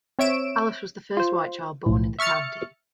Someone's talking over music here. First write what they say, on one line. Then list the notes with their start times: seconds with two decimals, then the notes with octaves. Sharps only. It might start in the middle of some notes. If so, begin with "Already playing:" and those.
Alice was the first white child born in the county.
0.19 C4 C#5 E5 D7 E7
1.17 F4 C5
1.86 B1 A2
2.19 E5 C#6 F6 A6 C#7